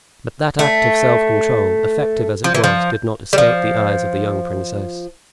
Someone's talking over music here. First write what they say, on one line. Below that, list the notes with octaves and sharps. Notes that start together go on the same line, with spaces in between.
But that act of self-control, effective as it was, did not escape the eyes of the young princess.
A3
F3
E3
F3
G3
F3